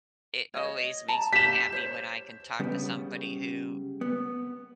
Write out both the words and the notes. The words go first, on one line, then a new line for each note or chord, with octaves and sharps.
it always makes me happy when I can talk to somebody who,
C#5 D#5
A5 A#5
G4 B6 E7
C5 C#5
C#3 G3 B3
B3